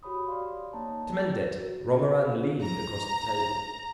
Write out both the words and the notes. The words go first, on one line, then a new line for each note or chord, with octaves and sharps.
To mend it, Romarin leaned across the table.
F#4 G4 C#5 B5 D#6
D5 F5 C6
A#3 D#4 C#5 A5 A#5
A6
F#4
A#5